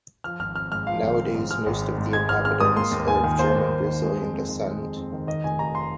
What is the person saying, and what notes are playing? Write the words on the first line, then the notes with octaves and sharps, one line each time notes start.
Nowadays, most of the inhabitants are of German-Brazilian descent.
F3 F6
G#1 F6
C4 F6
G#2 F6
F3 F5
G#1
C4
G#2
G#3 F6
G#1
C4
G#2
G#3 G#6
G#1 F6
C4 F6
G#2 D#6
A#3 C6
D#2
D#2 G#5
D#3
A#3 C5
D#2
D#2
D#3
G#3
F2
C4
D#3
G#3
F2
C4
D#3
D#3 D#5
F1 G#5
F1 A#5
C6